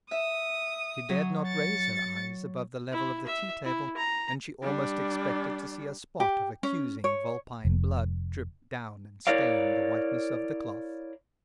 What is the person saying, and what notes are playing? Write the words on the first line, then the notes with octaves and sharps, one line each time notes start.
She dared not raise her eyes above the level of the tea-table, and she almost expected to see a spot of accusing vulpine blood drip down and stain the whiteness of the cloth.
E5 D#6
F#3
A6 C#7
E4
E5
E4
A#5
G3 D4
G4
C#4
C#5
F1
E4 A#4 C#5 D5 F5